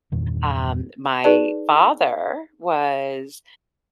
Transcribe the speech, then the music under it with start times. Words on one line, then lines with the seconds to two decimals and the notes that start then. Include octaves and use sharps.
Um, my father was
0.12 E2 G2 A#2 D#3
1.24 D#4 G#4 B4 D5 A5